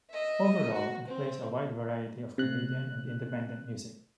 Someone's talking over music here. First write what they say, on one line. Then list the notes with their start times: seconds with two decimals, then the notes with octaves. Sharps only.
Overall it plays a wide variety of Canadian and independent music.
0.10 D#5 E5
0.72 F#4
1.07 C4
2.38 C3 F#6